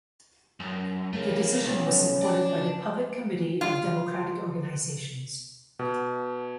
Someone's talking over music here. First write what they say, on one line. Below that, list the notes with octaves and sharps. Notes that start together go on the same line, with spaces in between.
The decision was supported by the Public Committee of Democratic Organisations.
F#2
C#3 A3 A#4
B1 C#4
D5 A5
F4
B2